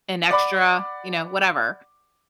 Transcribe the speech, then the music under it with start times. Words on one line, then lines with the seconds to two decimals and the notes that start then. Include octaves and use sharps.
an extra, you know, whatever.
0.31 D5 F#5 B5 D6